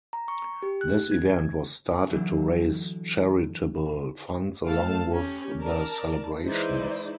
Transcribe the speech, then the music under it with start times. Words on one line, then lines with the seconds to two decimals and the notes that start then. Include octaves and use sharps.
This event was started to raise charitable funds along with the celebrations.
0.13 A#5
0.28 C#6
0.62 G4
0.81 F#6
1.11 G#6
2.11 D3 E3 F#3
4.65 A3 A4 F5 A5
5.12 C#4 G4
5.60 A#4 D5 A5
6.46 E3 G#3 D#4 E4 C5 D5